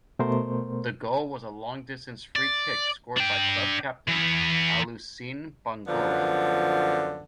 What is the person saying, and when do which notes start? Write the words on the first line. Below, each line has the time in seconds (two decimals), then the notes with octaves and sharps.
The goal was a long distance free-kick scored by club captain Alusene Bangura.
0.19 B2 A3 B3 A#4 C5 C6
2.36 D5
3.17 D4 G5
4.08 E3 B3
5.87 F#2 D3 F3 B3